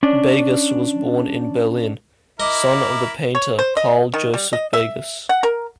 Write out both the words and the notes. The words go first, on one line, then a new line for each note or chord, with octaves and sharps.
Begas was born in Berlin, son of the painter Carl Joseph Begas.
C#4 D4 D5
E4 A#4 D#5 D6
C#5
C5
D#5
D#3
G3
D#5
E5
F#5
A#4